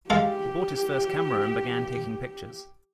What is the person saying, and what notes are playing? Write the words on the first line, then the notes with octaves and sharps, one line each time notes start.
He bought his first camera and began taking pictures.
G#3 G4 A4 F5